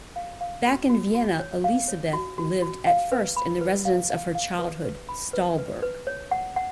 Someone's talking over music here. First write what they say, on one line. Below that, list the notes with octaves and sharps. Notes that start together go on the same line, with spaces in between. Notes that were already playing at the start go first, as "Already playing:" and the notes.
Back in Vienna, Elisabeth lived at first in the residence of her childhood, Stallburg.
F5
F5
F#4
F#4
F#4
C#5
F5
C#5
F#4
F#4
F#4
F5
B4
B5
B4
F5
F5
F5
B4
B4
B5
B4
B4
B4
C#5
F#5
F#5